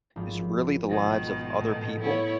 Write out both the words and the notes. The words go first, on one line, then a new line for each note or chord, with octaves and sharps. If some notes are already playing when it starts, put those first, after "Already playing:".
is really the lives of other people.
G#1 F3
G#2 B2 D#3
B3
A2 A3
B3 E4 C#5